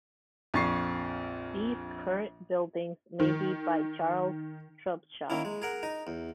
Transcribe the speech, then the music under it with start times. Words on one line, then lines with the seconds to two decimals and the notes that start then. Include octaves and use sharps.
These current buildings may be by Charles Trubshaw.
0.54 A#1 F2 C#6 A6 C7
3.20 D#3
5.30 D#3 A#3 C#4 E4
5.45 G#3
5.62 G#4 A#4 F#5
5.83 D#4 D#5
6.07 E2